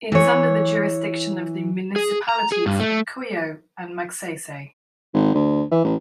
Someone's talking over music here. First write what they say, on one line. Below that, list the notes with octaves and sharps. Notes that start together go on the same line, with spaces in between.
It is under the jurisdiction of the municipalities of Cuyo and Magsaysay.
E3 C#5
G#4
A#5
G#4
G2
A3
G#1
D2
E3
A1